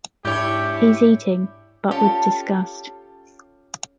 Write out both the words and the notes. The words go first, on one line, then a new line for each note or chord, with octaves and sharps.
He’s eating, but with disgust.
G#2 E3 D4 E4 G4 C#5
C#4 F4 G4 A4 C#5